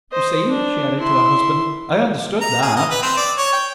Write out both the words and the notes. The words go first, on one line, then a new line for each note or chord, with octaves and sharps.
"You see," she added to her husband, "I understood that."
C5 D#5
D4
E4 C6
A#5
G#4
D#5
B4
C4
D5
C#5
G5